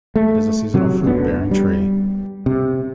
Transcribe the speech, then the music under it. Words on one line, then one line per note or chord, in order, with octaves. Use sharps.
It is a seasonal fruit bearing tree.
A3
C3 F#3
D1 F#2 D3 B3
G3
C3